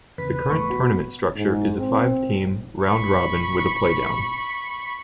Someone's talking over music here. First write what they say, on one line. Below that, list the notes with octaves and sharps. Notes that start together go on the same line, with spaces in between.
The current tournament structure is a five-team round-robin with a playdown.
E2 C#3 B4
E2 A3 C#6
B3 F#4
G#2
C4
B5 C#6